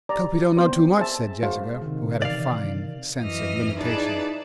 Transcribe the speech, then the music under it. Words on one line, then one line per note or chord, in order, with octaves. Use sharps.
"Let's hope he don't know too much," said Jessica, who had a fine sense of limitations.
G4 D5 A#5
B3 C4 C5
G#4 C5 E5 A5
G#3 F#4 C5 F5
C3 D#3
B2 D3 E3 D5 F5
F#2 E3 D#5 E5 F6
D#4 E4 G#4 B4 D5 A5